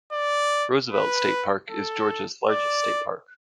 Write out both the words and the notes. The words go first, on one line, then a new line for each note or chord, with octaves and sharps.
Roosevelt State Park is Georgia's largest state park.
D5
B4
A4
D5